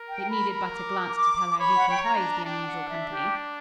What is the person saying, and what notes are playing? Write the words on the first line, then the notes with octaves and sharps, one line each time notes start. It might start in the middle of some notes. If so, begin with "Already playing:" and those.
It needed but a glance to tell her who comprised the unusual company.
Already playing: A#4
G5
B5
B5
D6
D6
C#5 B5
F#5
C#5 G5
A#5
D4
D4 G5
F#5
E5
G4